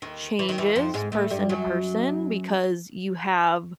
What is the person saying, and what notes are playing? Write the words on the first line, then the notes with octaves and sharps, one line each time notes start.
changes person-to-person because you have
D#2 D#3
E3
D#3
E2 E3
F2 F3
G#2 G#3
A2 A3
G2 G3
F#2 F#3